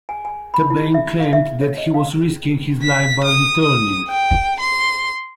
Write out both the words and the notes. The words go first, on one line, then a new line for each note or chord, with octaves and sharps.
Thabane claimed that he was risking his life by returning.
G#5
G#5
B5
E4
E5
F5
E5
C#5
D#5
F5
B6
D#6
D#6
G5
C6